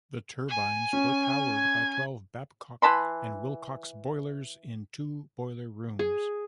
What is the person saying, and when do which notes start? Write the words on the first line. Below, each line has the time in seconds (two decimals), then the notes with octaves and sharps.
The turbines were powered by twelve Babcock and Wilcox boilers in two boiler rooms.
0.49 G#5
0.93 C#4
1.54 G#6
2.82 E3 A5 B5 C6
5.99 G#4